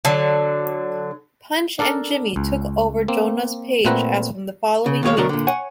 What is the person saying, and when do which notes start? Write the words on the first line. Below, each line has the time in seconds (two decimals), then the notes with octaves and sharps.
Punch and Jimmy took over Jonah's page as from the following week.
0.05 D3 F#3
1.79 D4 A4 A#4 D5
2.36 C#2
3.08 A#3 C4
3.85 A#2 A3 C4 B4 F#5 A#5
4.86 C#3
5.03 D#2 B2 G#3 D#4 C#5 F5
5.17 D2 B2 F#3 A3 A#4 D5
5.29 A#2 D3
5.47 C#5 F#5 G#5